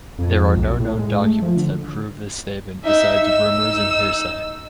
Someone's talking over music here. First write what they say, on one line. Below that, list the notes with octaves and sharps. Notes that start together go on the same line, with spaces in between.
There are no known documents that prove this statement besides rumours and hearsay.
F2
B1
A2
G#3
A3
F3
D3
D#4 E5 E6
D#4 E6